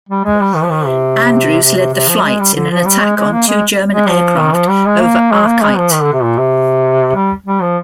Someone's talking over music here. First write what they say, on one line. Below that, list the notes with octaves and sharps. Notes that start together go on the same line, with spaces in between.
Andrews led the flight in an attack on two German aircraft over Achiet.
G3
G#3
G3
D#3
F3
D#3
C3
C3
C3
C3
F3
G#3
G3
D3
F3
G3
G#3
G#3
A#3
G#3
G#3
F3
D#3
F3
G3
G#3
A#3
G#3
A#3
G#3
F3
D#3
D3
C3
A#2
C3
G3
G3
F3